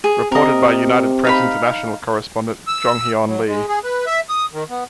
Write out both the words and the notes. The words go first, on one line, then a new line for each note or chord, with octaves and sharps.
Reported by United Press International correspondent Jong-Heon Lee.
G#4
C3 A#4 D#5
D#4 F5 B5
E6
F#3
G#3
G#4
B4
E5
D#6
D#3
B3